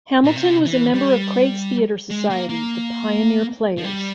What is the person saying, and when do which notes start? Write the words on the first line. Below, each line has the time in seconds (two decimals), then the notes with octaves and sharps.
Hamilton was a member of Craig's theatre society, the Pioneer Players.
0.24 A#2
0.36 C3
0.65 E3
0.93 G3
2.10 G#3
2.30 A#3
2.49 A#3
3.77 F3
3.84 G3